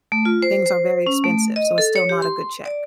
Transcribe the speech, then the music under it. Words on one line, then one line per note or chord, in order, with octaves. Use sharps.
things are very expensive. So, it's still not a good check.
A3
F4
C5
C5
C#4
A3
D#5
A4
C#5
G4
C6
D5